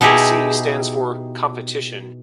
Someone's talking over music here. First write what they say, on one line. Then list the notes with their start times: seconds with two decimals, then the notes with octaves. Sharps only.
The "C" stands for "competition".
0.01 B2 D#4 E4 G4 G#4